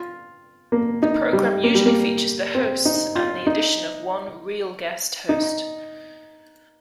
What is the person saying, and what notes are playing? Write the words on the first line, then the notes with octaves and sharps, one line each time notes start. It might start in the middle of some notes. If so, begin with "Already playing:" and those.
The program usually features the hosts and the addition of one "real" guest host.
Already playing: F4
A#3
D#4
G3
A#3
G3
A#3
C4
D#4
F4
D#4
D#4